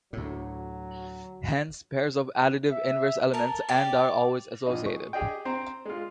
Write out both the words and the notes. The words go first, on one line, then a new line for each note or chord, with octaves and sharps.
Hence, pairs of additive inverse elements and are always associated.
D2 A2 F#3
E5
A#4 A5
G4 D5
A#1 A#2 D#4 D#5
G#4 C#6
G4 G#4 D#5 G5
C4 C5 A#5
G#3 F4